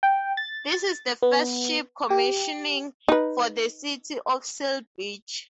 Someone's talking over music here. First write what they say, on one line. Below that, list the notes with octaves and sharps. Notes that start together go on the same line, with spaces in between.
This is the first ship commissioning for the City of Seal Beach.
G5
A6
B3
G4
D#4 B4